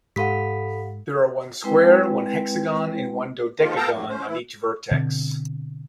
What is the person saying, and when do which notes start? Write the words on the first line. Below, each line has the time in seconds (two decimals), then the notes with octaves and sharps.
There are one square, one hexagon, and one dodecagon on each vertex.
0.16 G#2 G4 A4 F5 F#5 B5 B6
1.64 G#3 C4 E4 B4 G5
3.59 D#3 F3 G#3 A#3 F4
3.76 B3 A4 F5 G5 A5 A#5
3.92 F2 G#2 F#3 A#3
4.09 C#4 C5
4.26 E3 E4
4.91 B2 D3 C4